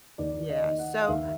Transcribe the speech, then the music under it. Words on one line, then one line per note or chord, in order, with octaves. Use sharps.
Yeah, so,
D#2 D5
D#5
D#3
F#5
F5
D#2 E5